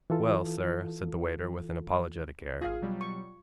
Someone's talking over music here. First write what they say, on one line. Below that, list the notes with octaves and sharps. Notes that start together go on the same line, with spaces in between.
'Well, sir,' said the waiter, with an apologetic air.
E3 F4 A4
G#1 F4 G#4 F5
B2 F#3 G3
C#6